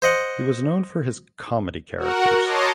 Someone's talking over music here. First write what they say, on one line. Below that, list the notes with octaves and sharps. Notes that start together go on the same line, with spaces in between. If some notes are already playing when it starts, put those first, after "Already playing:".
He was known for his comedy characters.
C5 D#5 F#5
F#4 A#4 F#5
C#5 D#5 A5 A#5 C6 D6